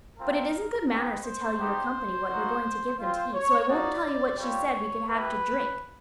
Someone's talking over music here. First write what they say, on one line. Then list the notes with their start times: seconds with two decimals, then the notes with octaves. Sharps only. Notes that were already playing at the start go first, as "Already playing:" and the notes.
But it isn't good manners to tell your company what you are going to give them to eat, so I won't tell you what she said we could have to drink.
0.19 A3 C4 F4 A#4
0.89 G#3 C4 D#4 B4
1.24 C5
1.59 B3 D#4 G4
2.29 A#3 D#4 F#4
2.99 C4 F4 C5
3.34 C#5
3.68 A#3 D#4 F#4 D5
4.38 G3 C4 F4 C#5
5.08 B3 E4 G4 B4